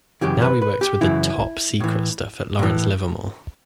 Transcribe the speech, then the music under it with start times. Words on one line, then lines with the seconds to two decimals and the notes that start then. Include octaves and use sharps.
Now, he works with top secret stuff at Lawrence Livermore.
0.21 F#2 C#3 E3 G4
0.42 B4
0.62 B4
0.81 G4
1.01 F#2 C#3 E3 E4
1.80 A2 E3
2.59 A2 E3